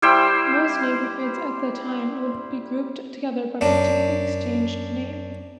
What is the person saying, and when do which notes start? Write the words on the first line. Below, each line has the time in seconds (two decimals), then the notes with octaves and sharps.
Most neighborhoods at the time would be grouped together by a particular exchange name.
0.02 G3 E4 C5 G5
3.61 F#2 D4